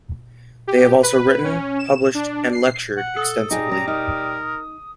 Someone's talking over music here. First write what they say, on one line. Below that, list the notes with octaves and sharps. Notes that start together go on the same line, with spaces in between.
They have also written, published and lectured extensively.
G4
B4
C#4
E7
D4
C7
F#5
A4 D#6
G3 D#4 G#4 A#5
C#4 A#5
D#4 A#4